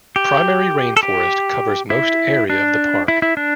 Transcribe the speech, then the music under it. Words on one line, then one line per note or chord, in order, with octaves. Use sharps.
Primary rain forest covers most area of the park.
G4
A4
G4
E4
D4
E4
E4
D4